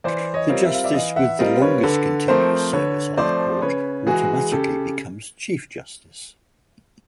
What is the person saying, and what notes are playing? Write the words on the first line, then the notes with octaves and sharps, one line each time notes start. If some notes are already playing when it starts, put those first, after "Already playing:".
The justice with the longest continuous service on the court automatically becomes Chief Justice.
E3 C5 D5
C#5 D#5
G3 C4 F4 A#4
E5
F5
D5 E5
E3 D#5 F5
E5 F#5
G3 C4 F4 A#4 D#5 F5
B4 C#5
D3 A4 B4
F3 A3 C4 A#4 C5
D3 B4 C#5
F3 A3 C4 C5 D5
C#3 B4 C#5
E3 G#3 F#4 G#4
C#3 G4 A4